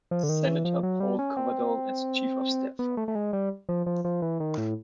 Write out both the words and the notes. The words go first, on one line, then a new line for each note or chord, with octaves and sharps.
Senator Paul Coverdell as Chief of Staff.
F3
D3
D#3
E3
F3
F#3
G3
C#4
C4
B3
A3
A3
G#3
G3
F3
F3
F3
E3
D#3
A2